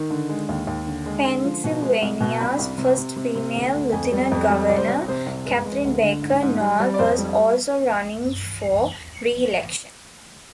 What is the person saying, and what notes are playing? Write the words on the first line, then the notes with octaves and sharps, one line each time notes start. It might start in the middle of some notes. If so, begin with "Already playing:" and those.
Pennsylvania's first female Lieutenant Governor, Catherine Baker Knoll was also running for re-election.
Already playing: D#3
D3
G#3
D#2
D#2
D3
G#3
D3 C6
F3
B2
G#3
C2
B2
C2 B5
C2
C3
C3
C3
C3
D2
D2
F2 G#5
G3
F2
G3
C2 D5
C5
C3 D5
C3 C5
C2
G#3 B4
G#3
D2
D3
G#2
G#2
G3
G3
D5
F2 C5
G3